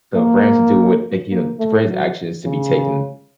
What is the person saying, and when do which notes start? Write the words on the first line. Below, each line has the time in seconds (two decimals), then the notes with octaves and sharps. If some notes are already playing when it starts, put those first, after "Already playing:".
So for him to do what like, you know, to put his actions to be taken,
0.16 A#3
1.30 A#3
1.59 A3
1.88 F#3
2.45 C#3